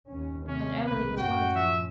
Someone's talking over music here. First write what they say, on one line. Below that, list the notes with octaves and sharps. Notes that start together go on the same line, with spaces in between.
And Emily was one of them.
D#2 C#4
D#2 C3 A3 C#4
B1 B2 A#3 B4
F#2 A2 C#4 F#4 G5
F3 E5